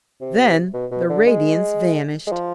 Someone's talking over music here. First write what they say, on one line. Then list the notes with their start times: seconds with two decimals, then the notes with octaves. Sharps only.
Then the radiance vanished.
0.21 C3
0.74 B2
0.91 B2
1.09 D3
1.27 G#3
2.27 G#3
2.32 F3